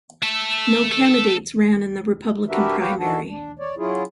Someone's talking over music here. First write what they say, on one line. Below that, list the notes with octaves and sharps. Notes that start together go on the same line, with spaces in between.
No candidates ran in the Republican primary.
A4 E5
D4 F#4 G4 A#4 B4 E5
F#4 G4 B4 C#5 F5 G5
D#3 E3 D4 F#4 A4
D4
C#5 D5
F#3 C#4 E4 F4 G#4